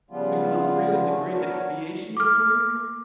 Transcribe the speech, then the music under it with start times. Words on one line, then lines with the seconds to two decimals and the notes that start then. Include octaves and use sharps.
Are you afraid of the great expiation before you?
0.11 C#3 F3 G3 B3 F4
1.05 A3 D4
1.28 B3 D4 A#4 C#5
2.17 D6 F6